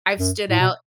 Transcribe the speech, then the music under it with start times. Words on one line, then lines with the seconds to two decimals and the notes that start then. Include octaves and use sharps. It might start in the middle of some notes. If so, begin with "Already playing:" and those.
I've stood out.
0.18 F#2
0.50 A2
0.60 B2